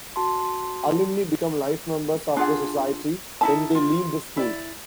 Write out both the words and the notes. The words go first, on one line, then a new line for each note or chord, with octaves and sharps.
Alumni become life members of the Society when they leave the school.
F#4 A5 C6
D4 F4 G#4 F#5
D#4 E4 A5
F4
E4 D5